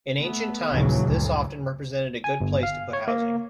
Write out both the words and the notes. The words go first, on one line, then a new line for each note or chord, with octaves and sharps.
In ancient times this often represented a good place to put housing.
A3 B3
A#1 D#2 C#3 E3 F#3
D2 G2
G#5
G1
F5
C#5
A#3